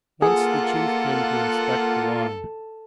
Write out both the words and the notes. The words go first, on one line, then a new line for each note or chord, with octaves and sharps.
Once the Chief came to inspect the line.
A#3 F4 G#4 A4 F#5